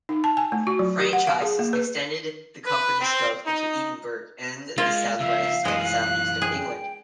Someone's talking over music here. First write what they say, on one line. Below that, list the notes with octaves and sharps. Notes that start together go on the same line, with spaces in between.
Franchises extended the company scope into Edinburgh and the southwest and southeast of England.
D#4
A5
G#5
A3
F#4
F#3
G4
F#5
F5
G#4
A#3
B4
B4
C4
D#4
G#3 A#3 F4
C#3 F3 E5 F5
F#2 E3 G#3 D#5 F#6
G#4 G5